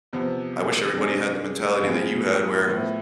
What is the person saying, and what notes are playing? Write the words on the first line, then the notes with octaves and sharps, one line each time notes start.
I wish everybody had the mentality that you had, where
E2 C3 F3 B3
C3 G#3 D4 G#4
A2 F3 B3 F4 G#4
A2 F3 B3 E4